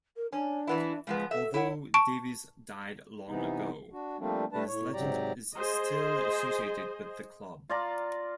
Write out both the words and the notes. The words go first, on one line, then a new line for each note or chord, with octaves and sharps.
Although Davies died long ago, his legend is still associated with the club.
A#4
C#4 D4
E3 B3 E4
C#3 F3 G#3 B3
A4 E5
E4 C#5 F#5
A5 C#6 D7
C3 E3 B3 D#4
D4 F#4
F3 G3 A3 A#3 C4 D4
G3 A3 D4 B4 A5
A2 C#5
G#2 C3 F#3 G4 D5 A#5
G#4 C5 D#5
F4 D5 A#5